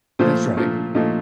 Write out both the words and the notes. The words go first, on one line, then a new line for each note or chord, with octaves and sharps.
That's right.
A#2 F3 A3 C5
A#2 F3 A3
A#2 F3 A3 D#4